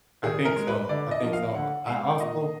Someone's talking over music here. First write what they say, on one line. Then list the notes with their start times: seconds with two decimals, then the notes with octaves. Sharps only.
I think so, I think so, I I also
0.23 D#3 G#4
0.45 A#4
0.56 G#3
0.68 B4
0.89 D3 D5
1.11 D#5
1.22 F3 A#3
1.33 F5
1.55 D3 F#5
1.88 G#3 F5
2.20 A#2 D#5